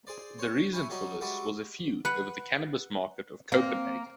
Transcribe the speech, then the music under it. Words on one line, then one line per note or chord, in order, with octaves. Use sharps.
The reason for this was a feud over the cannabis market of Copenhagen.
G#4 C5 D5
C5 C#5
E4 C#5 G#5 B5
F#3 G3 C#4 D#4 F#4
G3 G#3 D4 F#4 B4 E5
B4 F#5
A#3 C4